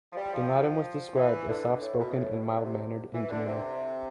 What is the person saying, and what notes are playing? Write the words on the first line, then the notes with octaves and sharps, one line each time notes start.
Bin Laden was described as soft-spoken and mild-mannered in demeanor.
F3
G3
F3
E3
D3
A2
B2
B2
A2
A2
C3
D3
C3
E3
D3
C3